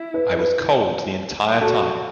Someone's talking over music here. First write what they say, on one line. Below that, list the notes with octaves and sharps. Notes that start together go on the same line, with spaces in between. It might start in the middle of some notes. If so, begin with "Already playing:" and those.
I was cold the entire time.
Already playing: E4
B4
B4
F#4 A4